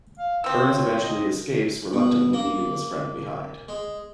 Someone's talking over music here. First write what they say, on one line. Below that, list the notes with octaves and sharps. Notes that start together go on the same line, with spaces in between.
Burns eventually escapes reluctantly leaving his friend behind.
F5
F3 C4 E6
C#5
D#5
B2
A#3
G#3